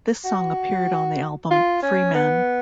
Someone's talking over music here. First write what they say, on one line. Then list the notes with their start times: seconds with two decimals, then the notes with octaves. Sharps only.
This song appeared on the album "Freeman".
0.24 F#4
1.50 F4
1.82 C#4
2.15 B3